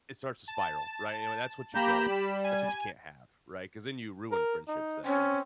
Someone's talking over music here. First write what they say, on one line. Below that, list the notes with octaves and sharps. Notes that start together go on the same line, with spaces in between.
it starts to spiral, right, anyway, that's what you don't that's what you can't have, right, 'cause then you ruin friendships that way,
A5
A#3 G4 A#5 B5 G6 E7
G3
G#5
A#4
D#4
C4 C#4